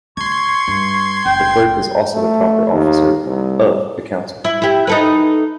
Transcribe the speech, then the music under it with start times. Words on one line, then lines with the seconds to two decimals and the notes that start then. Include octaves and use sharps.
The clerk is also the "Proper Officer" of the Council.
0.17 D2 C6 C#6 G#6
0.68 G2
1.26 F#1 G5
2.14 A3
2.72 D#2
3.26 C2
4.44 E4
4.62 E4 G4
4.87 D#4 A4 B4